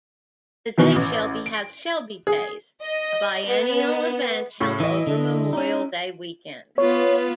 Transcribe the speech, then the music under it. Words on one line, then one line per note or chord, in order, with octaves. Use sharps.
Today Shelby has "Shelby Days", a biennial event held over Memorial Day Weekend.
B2 D#3 E3
A1
D7
G#4
D#5
B3
A2 C#3 C#6
E3 E4 D#5
D3
C#4 D#4
B3 F4 C#5